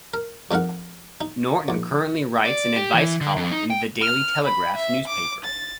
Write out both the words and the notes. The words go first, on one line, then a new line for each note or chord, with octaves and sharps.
Norton currently writes an advice column in "The Daily Telegraph" newspaper.
A#4
F2 G#3 D#4 A#4 F#5
D#4
A#1 G#2
D5
G4
E3
D3
F2
D#4
G5
F6
B5
E5
D6
A6